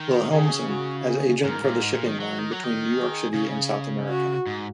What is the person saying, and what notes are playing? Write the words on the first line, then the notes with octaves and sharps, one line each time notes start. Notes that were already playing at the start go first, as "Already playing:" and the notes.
Wilhelmsen as agent for the shipping line between New York City and South America.
Already playing: D#3
C#3 G#4
F#4
G#4
G#2 A#4
A#2
G#2
A#2
D#3
F#3
D#3
F#3
D#3
G#4
C#3
F#4
G#2